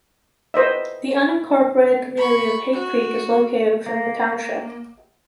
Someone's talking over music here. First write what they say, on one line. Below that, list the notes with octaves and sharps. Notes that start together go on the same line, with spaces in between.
The unincorporated community of Hay Creek is located within the township.
B4 C5 D#5 E5
B5 C#6
F#4
A#3